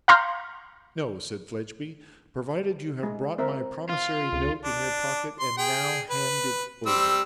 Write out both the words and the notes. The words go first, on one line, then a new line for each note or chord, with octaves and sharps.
'No,' said Fledgeby; 'provided you have brought my promissory note in your pocket, and now hand it over.'
F5 A#5 C6 F6 G6
G#3
C4 A#4 E5
F4
C#2
D4
C6
G#4 G5
B4
G3 C4 E6